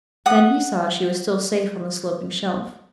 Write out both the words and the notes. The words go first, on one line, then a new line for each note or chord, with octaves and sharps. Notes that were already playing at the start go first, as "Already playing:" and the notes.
Then he saw she was still safe on the sloping shelf.
F#5 D#6